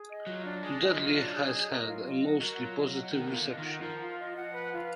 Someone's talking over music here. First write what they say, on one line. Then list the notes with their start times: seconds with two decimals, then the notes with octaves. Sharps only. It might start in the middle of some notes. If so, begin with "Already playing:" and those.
Dudley has had a mostly positive reception.
Already playing: G#4
0.10 D#5
0.27 F#3 F4
0.44 D4
0.63 G#3 G#4
0.80 D#5
0.98 F#3 F4
1.16 D4
1.34 G#4
1.52 D#5
1.69 A#4
1.88 F4
2.04 D#5
2.23 F#5
2.41 F#3 A#4
2.58 F4
2.77 D#5
2.93 F#5
3.11 D#3 A#4
3.26 B2 F4
3.35 D3
3.47 D#5
3.58 D#3
3.64 F#5
3.82 F3 A#4
4.01 F4
4.19 D#5
4.35 F#5
4.54 B4
4.72 F4